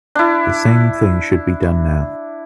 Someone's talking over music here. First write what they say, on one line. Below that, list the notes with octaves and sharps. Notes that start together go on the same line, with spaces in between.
The same thing should be done now.
D4 E4